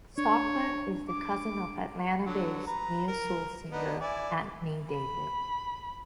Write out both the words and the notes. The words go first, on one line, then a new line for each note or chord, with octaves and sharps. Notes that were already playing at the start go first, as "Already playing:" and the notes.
Stockman is the cousin of Atlanta-based neo-soul singer Anthony David.
D4 C#5
D6
D3 F#3
B4 A#5
A#4
B3 D4 D#4
E4 D5 G#5
B5